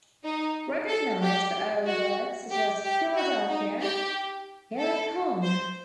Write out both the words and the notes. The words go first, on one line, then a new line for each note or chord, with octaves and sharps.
Recognised for early works such as Philadelphia, Here I Come!
D#4
A4
G4
F#4
G4
G4
F#4
D#4
G4
A4
C5